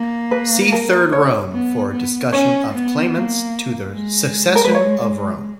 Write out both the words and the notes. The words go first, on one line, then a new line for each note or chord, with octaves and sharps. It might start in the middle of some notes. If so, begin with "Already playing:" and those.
See Third Rome for a discussion of claimants to the succession of Rome.
Already playing: A#3
B4
A#4
C#5
B3
B3
C#4 C#5
B3
A#3
G#3
A#4
B4
C#5